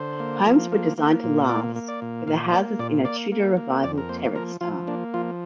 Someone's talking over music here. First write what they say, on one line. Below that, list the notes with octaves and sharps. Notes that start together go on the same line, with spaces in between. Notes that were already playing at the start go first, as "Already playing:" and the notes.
Homes were designed to last, with the houses in a Tudor Revival terrace style.
Already playing: D3 C5
A#3
F3
A#3
A#3
A#2
A#3 D5
A#3
D5
A#2
A#2 F5
A#3 D5
A#2 D5
A#3 D5
A#3
A#3
F2 D5
A#4
A#3 C5
F3 A#4
F3 F4
A#3 D4
F3 F4